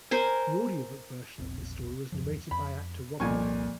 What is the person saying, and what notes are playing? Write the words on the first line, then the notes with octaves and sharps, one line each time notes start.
The audiobook version of this story was narrated by actor Rob Lowe.
A#4 C5 G#5
E1 A#1 C4
D#1 F#2 F3
F2 B5
C2 F2 A#2 G3 C#4 G#5 C#6